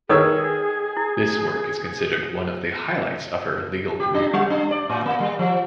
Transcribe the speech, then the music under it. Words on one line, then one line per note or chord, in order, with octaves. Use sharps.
This work is considered one the highlights of her legal career.
D#3 G#4 A4 B4 C#5 D#6 E6
E4
G4
D4
G3
D4
D5
A2
A#3
G3
F3